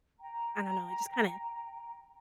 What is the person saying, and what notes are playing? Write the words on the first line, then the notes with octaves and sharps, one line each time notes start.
I don't know, it just kinda
G5 A#5